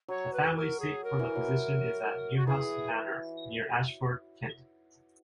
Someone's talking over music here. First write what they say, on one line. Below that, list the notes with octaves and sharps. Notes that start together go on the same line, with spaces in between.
The family seat for the position is at Newhouse Manor, near Ashford, Kent.
F#3 C#5
B4
A#4
G#4
A#4
E3
F#3
F#4
E3 G#4